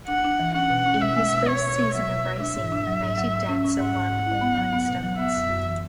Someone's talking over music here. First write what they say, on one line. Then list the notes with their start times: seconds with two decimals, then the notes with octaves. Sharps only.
In his first season of racing, Native Dancer won all nine starts.
0.08 D4 F#5
0.24 D4
0.40 E3
0.54 C#4 F#5
0.70 B2
0.86 C#4
1.01 B2 E5
1.17 G#3
1.33 B2
1.47 B2 C#5
1.63 B2
1.79 B2
1.94 F#3 E5
2.10 B2
2.25 B2
2.40 D4 E5
2.56 G#2
2.72 D4
2.87 F#3
3.02 G#2
3.18 F#3
3.34 G#2
3.49 C#4
3.65 C#4
3.80 G#2 F#5
3.95 G#2
4.11 G#2
4.26 E4
4.41 B3
4.57 F#3
4.73 B3
4.88 B2
5.03 F#3
5.19 B3 E5
5.35 F#2
5.50 F#2
5.66 E3